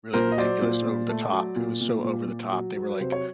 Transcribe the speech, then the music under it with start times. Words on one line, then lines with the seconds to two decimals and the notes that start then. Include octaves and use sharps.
Really ridiculous, over the top, it was so over the top, they were, like,
0.13 A#2 A#4 C5
0.32 D#5
0.38 F#3 C5 D5
0.61 A#2
0.86 A#2
1.09 A3
1.33 F#3
1.56 A#2
1.81 A#2
2.04 A#2
2.27 A#2
2.52 F#3
2.76 F#3
2.90 B4
2.99 C3 C5
3.12 C#5